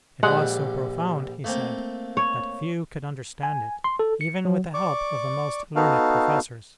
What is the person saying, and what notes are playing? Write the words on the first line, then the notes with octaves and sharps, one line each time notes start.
It was so profound, he said, that few could understand it, even with the help of the most learned professors.
A#1 D3 G3 G#3 F#5
A3 A#3 C4
C#5
G#5
C6
A4
C#7
F#3
D5 C#6 D6
B3 D#4 F#4 A4 F5